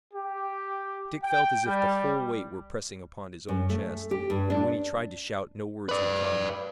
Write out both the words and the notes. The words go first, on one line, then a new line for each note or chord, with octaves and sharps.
Dick felt as if the whole weight were pressing upon his own chest, and when he tried to shout no words would come.
G4
G5
G3
F#2
A3
G4
G2
D4
B4 D5